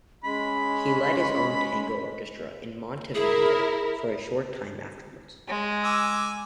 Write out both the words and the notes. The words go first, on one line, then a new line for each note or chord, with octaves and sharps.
He led his own tango orchestra in Montevideo for a short time afterwards.
G#3 C#4 B5
E4 G#4 A#4
G#3
G#5 D6 E6